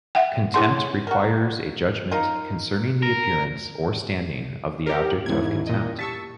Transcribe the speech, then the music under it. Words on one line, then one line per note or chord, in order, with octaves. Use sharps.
Contempt requires a judgment concerning the appearance or standing of the object of contempt.
E5 F#5 G5
D3 B3 C#4 E4 G#4 C6
F#4 A#4
D#4 F4 A#4
A#4
G4 A#4 C#5
E2 G#2 C#4 E4 G#6
A#2 D#5
G4 A5 C#6 E6 B6